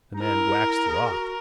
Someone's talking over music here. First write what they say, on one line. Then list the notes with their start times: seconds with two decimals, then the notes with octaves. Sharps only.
The man waxed wroth.
0.14 D#4
0.21 E4 A#4
0.89 G#4
1.11 F#4